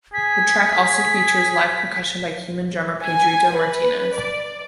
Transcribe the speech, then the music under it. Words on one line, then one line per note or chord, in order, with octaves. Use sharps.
The track also features live percussion by Cuban drummer Pedrito Martinez.
G#4 B6
G#5
B4
D5